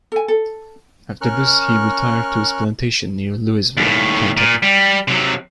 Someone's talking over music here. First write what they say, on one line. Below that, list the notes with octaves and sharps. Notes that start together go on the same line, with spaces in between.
After this he retired to his plantation near Louisville, Kentucky.
A4 G#5
A4
C#4 A#4 C#6 F6 F#6
D#2 A2
A#2
G3
C3 F#3